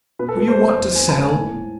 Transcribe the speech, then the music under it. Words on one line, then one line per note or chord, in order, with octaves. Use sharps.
"Do you want to sell?"
B2 B4
A4
B2 B4
C5
A3
E2
C4 G#5
A5
G#2
G#5
A2
A2